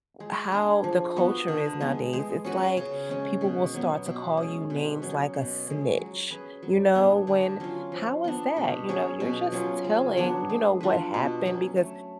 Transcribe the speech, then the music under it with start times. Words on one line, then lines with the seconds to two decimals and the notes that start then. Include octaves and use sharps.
how the culture is nowadays. It's like people will start to call you names like a snitch, you know? When how is that? You know, you're just telling, you know, what happened because
0.20 G#3
0.52 D4 G#4
0.84 F3
1.16 B3 F#4
1.48 D3
1.81 G#3 B3
2.13 G#3
2.44 C#4 F#4 B4
2.77 C#3
3.09 G#3 C#4
3.41 B2
3.74 F#3 B3
4.06 B2
4.37 C#4
4.42 G#3
4.70 B2
5.02 F#3 C#4
5.34 B2
5.67 G#3 C#4
5.98 F#3
6.30 C#4 G#4 B4
6.63 F#3
6.95 B3 D4 G#4
7.27 D3
7.60 F#3 C#4 F4
7.92 F3
8.24 B3 D4
8.56 B2
8.89 F#3 C#4 G#4
9.20 B2
9.52 F#3 C#4 F4
9.84 C#3
10.17 F#3 B3 D4
10.50 G#3
10.81 D4 F4 B4
11.14 B2
11.46 F#3 C#4
11.77 A3